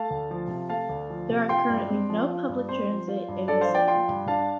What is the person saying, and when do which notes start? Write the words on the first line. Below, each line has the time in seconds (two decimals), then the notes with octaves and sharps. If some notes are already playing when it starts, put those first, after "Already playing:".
There are currently no public transit in the city.
Already playing: A3 F5 A5
0.10 D2
0.31 F3
0.50 C3
0.69 A3 F5 A5
0.89 D2
1.10 F3
1.29 C3
1.49 F4 G5 C6
1.69 G2
1.90 C4
2.10 F3
2.29 F4
2.49 G2
2.69 C4 C5
2.89 F3
3.08 F4
3.28 G2
3.48 D4 A4 D5
3.61 C5 F5
3.69 F3
3.74 D5 G5
3.88 F4 G5 C6
4.08 G2
4.28 D4 F5 A5